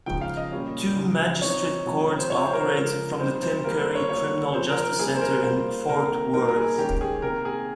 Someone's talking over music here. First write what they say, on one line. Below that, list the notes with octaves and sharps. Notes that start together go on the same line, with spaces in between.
Two Magistrate Courts operate from the Tim Curry Criminal Justice Center in Fort Worth.
C#3 F3 G#3 D#4 G5
F5
D#5
A#2 G3 C#4 F4
C#3 G#3 D#4
F3 C4 D#4 C#5
C3 F3 G#3
C5
C3 F3 C4 F4 C#5
C5
A#4
C5
C#3 F3 G#3 A#4
G3 C4 D#4 C5
C5
G3 A#3 F4 A#4
C5
C#5
G3 A#3 F4 C#5
C3 F3 C4 C5
A#4
A#4
G3 A#3 D#4 G#4
C5
A#4
G3 A#3 F4 C5
C3 D#3 A#3 A#4
A#2 G3 A#3 D#4 A#4
A#4
G#4
D#3 G#3 C#4 G4
G#4
C3 D#3 A#3 A#4
G#4